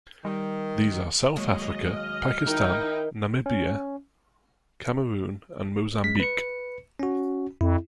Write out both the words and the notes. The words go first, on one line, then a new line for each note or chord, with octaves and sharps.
These are South Africa, Pakistan, Namibia, Cameroon and Mozambique.
D#3 G3
D#2 F#3 G#3 D#5
F5
D#3 D#4 E4 G5
C#4
G#3 B6
B4 C#7
C#4 F#4
F2 E4